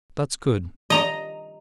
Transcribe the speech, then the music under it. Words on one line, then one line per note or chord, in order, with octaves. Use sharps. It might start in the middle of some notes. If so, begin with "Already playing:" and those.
"That's good."
D#5 A#5